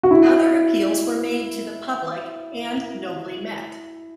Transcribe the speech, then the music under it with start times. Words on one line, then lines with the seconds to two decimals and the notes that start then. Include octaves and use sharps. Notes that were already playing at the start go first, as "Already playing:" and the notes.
Other appeals were made to the public, and nobly met.
0.03 F#4
0.11 E4